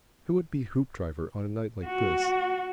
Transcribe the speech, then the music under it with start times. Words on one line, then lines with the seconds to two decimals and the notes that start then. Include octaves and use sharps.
Who would be Hoopdriver on a night like this?
1.86 F#4